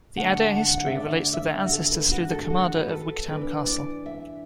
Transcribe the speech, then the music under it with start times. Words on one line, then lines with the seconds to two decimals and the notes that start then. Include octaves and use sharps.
The Adair history relates that their ancestor slew the commander of Wigtown Castle.
0.17 D3 A3 D4 F#5
0.46 A5
0.56 F#5
0.77 F#5
0.86 E5
0.96 D5
1.33 E5
1.66 F#4
1.73 A4
1.92 B4
2.11 F#4
2.31 A4
2.50 F#4
2.76 B4
2.88 A4
3.28 E3 D4 B4
3.67 D5
4.06 E5